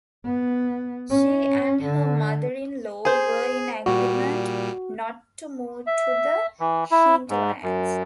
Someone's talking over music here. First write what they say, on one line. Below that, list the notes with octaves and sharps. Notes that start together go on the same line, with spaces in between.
She and her mother-in-law were in agreement not to move to the hinterlands.
B3
C#4
D3
G#4 C5 G#5
A#2 G3 F#4
E5
E3
E4
G#2
F#2